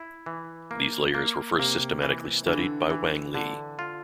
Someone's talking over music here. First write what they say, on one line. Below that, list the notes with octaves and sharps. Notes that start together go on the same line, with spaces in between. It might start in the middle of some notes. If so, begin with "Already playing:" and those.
These layers were first systematically studied by Wang Li.
Already playing: E4
E3
A#3
A#3
C3 A#3
E3
D3 E3
E3
D3
F4